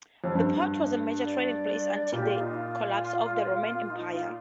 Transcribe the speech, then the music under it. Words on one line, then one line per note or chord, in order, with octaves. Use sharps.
The port was a major trading place until the collapse of the Roman Empire.
F2
G2
D5
A#2 G4
F4
D#4
F4
D#4
F4